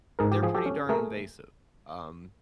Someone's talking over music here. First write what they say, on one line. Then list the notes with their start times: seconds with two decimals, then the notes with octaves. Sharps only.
they're pretty darn invasive. Um,
0.19 G#2 G#4 A#4
0.32 G4
0.43 F3 G#4
0.54 G4 A4
0.66 C#4
0.89 A3 G#4 A#4